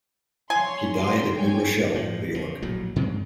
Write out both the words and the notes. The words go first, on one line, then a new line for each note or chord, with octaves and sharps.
He died at New Rochelle, New York.
C#5 G#5 C6
A#4 D5 C6
C#5 G5 G#5
A2 F3
C#3
A#1 A2 F#3
G2 C#3 G#3 C4